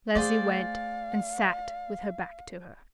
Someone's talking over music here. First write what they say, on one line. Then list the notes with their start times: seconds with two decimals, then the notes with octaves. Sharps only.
Leslie went and sat with her back to her.
0.15 A3 G#4 C5 D5 F5